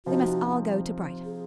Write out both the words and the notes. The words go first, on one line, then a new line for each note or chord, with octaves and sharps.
They must all go to Brighton.
C3 F3 C4 D#4 F#4
G#4